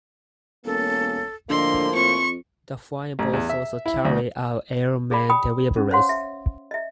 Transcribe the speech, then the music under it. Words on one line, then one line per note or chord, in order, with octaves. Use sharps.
The flying boats also carried out air mail deliveries.
E1 A#3 C#4 A4
A2 D3 F3 A#3 D#5 C6
F2 C6 C#6
A1
E2
E5
E4
D2
G#4 D5 B5
G5 B5 D#6
C#4
C5 C#5 F5 F#5 C6
E5
D#5 E5